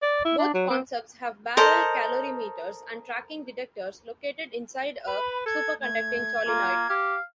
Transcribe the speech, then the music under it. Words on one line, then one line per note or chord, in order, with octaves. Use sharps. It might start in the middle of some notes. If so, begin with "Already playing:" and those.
Both concepts have barrel calorimeters and tracking detectors located inside a superconducting solenoid.
D5
E4
D4
F#3
C4
A4 A#4 C5 D#5
B4 B5
A4 G#6
A3 G#6
A#3 F4
G4 F5